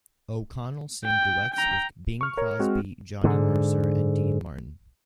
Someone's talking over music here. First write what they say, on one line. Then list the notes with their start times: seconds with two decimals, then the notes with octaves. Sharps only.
O'Connell sang duets with Bing Crosby, Johnny Mercer, and Dean Martin.
1.05 G5
1.54 G5 A#5
2.21 C#6 F6
2.37 A#4 C#5
2.59 G#3 C4 F#4
3.24 G#2 D3